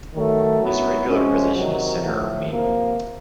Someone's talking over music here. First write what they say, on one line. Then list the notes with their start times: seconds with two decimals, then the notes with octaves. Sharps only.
His regular position is centre or wing.
0.14 D#3 F#3 A3
0.61 F#3 B3 E4
1.08 C3 F3 G#3 C#4
1.55 C3 D#3 F#3
2.02 A2 F3 A3
2.49 C3 F3 A#3